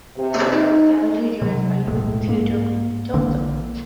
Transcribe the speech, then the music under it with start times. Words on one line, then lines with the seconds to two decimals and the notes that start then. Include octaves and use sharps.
Daldry joined a youth theatre group in Taunton.
0.16 C3
0.52 D#4
1.42 C3 F#3
1.87 D#1 B1 A2 G#3
2.27 G#2 A#3
3.14 A#1 D3 E3 A#3